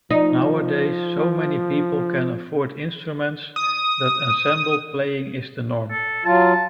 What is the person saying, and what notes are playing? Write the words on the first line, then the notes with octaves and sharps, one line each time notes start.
Nowadays so many people can afford instruments that ensemble playing is the norm.
F3 D#4
D#6
A4
F#3 F4 A5